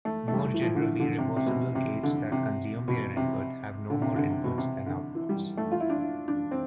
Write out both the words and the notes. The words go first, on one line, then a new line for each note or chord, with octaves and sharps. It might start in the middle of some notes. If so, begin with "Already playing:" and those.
More generally, reversible gates that consume their input have no more inputs than outputs.
A3
A3
G3
E3
F3
D3
E3
D3
C3
C3
B2
C3
D3
C3
B2
C3
D3
C3
D3
C3
B2
C3
D3
E3
G3
A3
F4
E4
D4
E4
D4
C4